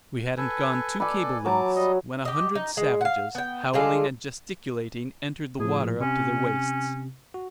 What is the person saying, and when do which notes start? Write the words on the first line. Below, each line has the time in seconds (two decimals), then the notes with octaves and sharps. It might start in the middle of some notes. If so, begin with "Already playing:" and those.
We hadn't gone two cable lengths when a hundred savages, howling and gesticulating, entered the water up to their waists.
0.37 A4 B4 G#5
1.00 A4 B4 D5 G#5
1.46 F#3 A5 D6
1.76 G3 D#5
2.25 G4 D#5
2.55 D#4
2.77 G#3
3.01 F5 F#5
3.35 B3 G5
3.73 G3 G#3 F4 A4
5.60 A2 F3 G#4
6.01 C3 C#4
7.34 F#4